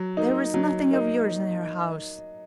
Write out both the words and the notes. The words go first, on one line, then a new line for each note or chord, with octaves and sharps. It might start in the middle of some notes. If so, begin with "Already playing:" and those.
There was nothing of yours in her house.
Already playing: F#3
A#3 D#4
F#3
A#3 D#4